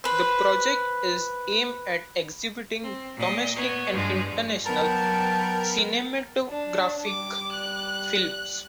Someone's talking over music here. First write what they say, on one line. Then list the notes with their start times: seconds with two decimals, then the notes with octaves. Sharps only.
The project is aimed at exhibiting domestic and international cinematographic films.
0.04 B4 C5
2.83 C4
3.17 A#2 D#5
3.56 B3 C#5
3.92 G2 F3 G#3
4.66 F#3 B3 A#4 G5 A5
6.48 D4
7.06 G3 D6
7.52 F#6